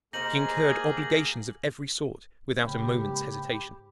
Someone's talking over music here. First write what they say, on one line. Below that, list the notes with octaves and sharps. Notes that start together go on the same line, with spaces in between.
She incurred obligations of every sort without a moment's hesitation.
A#3 D#4 G4 G#4 A#4 C5 A#6 F#7
G#2 C#3 A#3 C#4 G4 B5